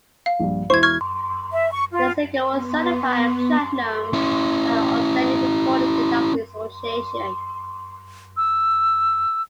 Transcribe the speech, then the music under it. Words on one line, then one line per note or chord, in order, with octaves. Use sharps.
The single was certified Platinum by the Australian Recording Industry Association.
F5
A#1 G2
E1 E4 C5 C#6 G#6
C#6 F6 G#6
E5
C#6
F4
B3
C#4 E4
E6